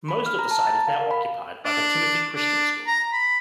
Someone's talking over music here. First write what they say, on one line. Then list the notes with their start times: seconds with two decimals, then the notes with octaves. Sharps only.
Most of the site is now occupied by the Timothy Christian School.
0.09 B5
0.26 F6
0.39 A#5
0.51 A5
0.67 A6
0.88 F5
0.99 A#4
1.11 B5
1.65 D4
2.35 D4
2.87 A#5
3.12 B5